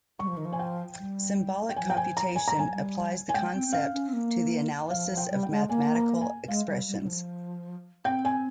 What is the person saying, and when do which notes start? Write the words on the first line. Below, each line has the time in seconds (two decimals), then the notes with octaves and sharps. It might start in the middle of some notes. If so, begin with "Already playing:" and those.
Symbolic computation applies the concept to the analysis of mathematical expressions.
0.19 G3 C#6
0.28 F3
0.37 D#3
0.45 F3
0.53 G#5
0.59 G5
0.99 G3
1.69 G5
1.76 F3 G#5
1.90 G5
1.97 G#5
2.17 A#5
2.36 G#5
2.48 A#5
2.56 G3 G#5
2.64 F3
2.72 G3
3.29 G#5
3.34 G#3 G5
3.54 C4
3.68 C4
3.73 C#4 F5
3.92 C#4
4.08 C4
4.13 A#3
4.90 F3 F5
5.10 F3
5.17 G5
5.31 G3
5.43 G5
5.49 G#3
5.69 A#3 G#5
5.95 A#5
6.21 G#5
6.48 G#3 F5
6.67 G3
6.88 G3
7.01 G3
7.07 F3
8.05 C4 G5
8.25 G#5